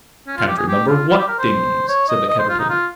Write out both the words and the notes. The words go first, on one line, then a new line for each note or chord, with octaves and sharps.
'Can't remember WHAT things?' said the Caterpillar.
C#4
F4
G4
G#4
G4
F4
F4
G4
A#4
C5
C#5
D#5
D#5
C5
F4
D#4
F4